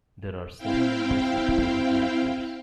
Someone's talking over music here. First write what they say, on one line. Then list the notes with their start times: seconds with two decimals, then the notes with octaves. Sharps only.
There are seven members of the board of directors.
0.58 C4 E4 F5 G5